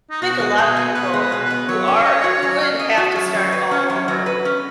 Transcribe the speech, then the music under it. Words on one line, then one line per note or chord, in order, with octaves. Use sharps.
think a lot of people who are who would have to start all over,
D#4
B2 F#4
G#3
B2 G#4
B3
B2 B4
G#3
B4
B2
B4
B3
F#3 C#5
C#4
D#5
F#4
F#3
C#4
D#5
F#4
F#2 C#5
F#3
B4
C#4
F#2
F#3
B4
C#4